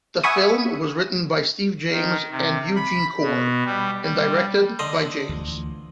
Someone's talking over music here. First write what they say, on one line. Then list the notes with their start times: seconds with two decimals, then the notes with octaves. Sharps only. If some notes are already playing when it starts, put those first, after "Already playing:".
The film was written by Steve James and Eugene Corr, and directed by James.
0.24 E5 F#5 G#5 B5 C#6 D#6
1.91 D#3
2.30 C3
2.76 B5
3.22 B2
3.64 G3
4.02 G3
4.79 D3 D#5 C6
5.29 D2 E3 F3